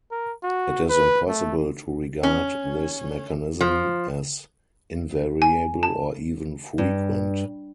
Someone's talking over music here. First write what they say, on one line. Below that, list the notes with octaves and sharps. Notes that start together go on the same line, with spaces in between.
It is impossible to regard this mechanism as invariable or even frequent.
A#4
F#4
B4
A3
C#4
F3
G#5
A5
G2